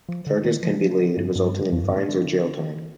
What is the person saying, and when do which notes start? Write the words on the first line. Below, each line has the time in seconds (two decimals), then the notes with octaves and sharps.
Charges can be laid, resulting in fines or jail time.
0.09 F3
0.27 D3
0.45 D#3
0.63 F3
0.81 F3
0.99 D3
1.17 G2
1.35 G2
1.72 F2
1.84 G2
1.96 A2
2.08 D3